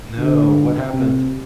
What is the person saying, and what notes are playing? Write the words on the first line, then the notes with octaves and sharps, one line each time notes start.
No, what happened?
D3
C3